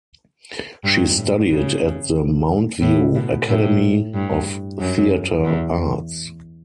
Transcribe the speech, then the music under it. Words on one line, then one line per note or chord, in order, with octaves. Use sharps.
She studied at the Mountview Academy of Theatre Arts.
G2
A2
C#3
A2
B2
A2
G2
F#2
E2